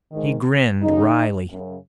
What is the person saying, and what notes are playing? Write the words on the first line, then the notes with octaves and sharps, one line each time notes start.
He grinned wryly.
G#2 D#3
D#2 C#3 D#4
F#2 C#3